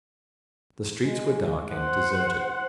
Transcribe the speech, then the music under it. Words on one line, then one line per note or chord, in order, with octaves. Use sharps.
The streets were dark and deserted.
G#3
C5 F#5